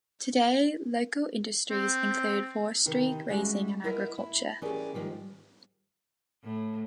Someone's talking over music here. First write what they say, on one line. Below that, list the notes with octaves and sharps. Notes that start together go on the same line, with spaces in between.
Today, local industries include forestry, grazing and agriculture.
C4
C3 D#3 E3
G3 G#3 C#4 E4 F#4
E4 A#4 D#5 F#5
E4
E3 C#4 G4 G#4 A#4 D5
G#2 D#3 F3 G3
A2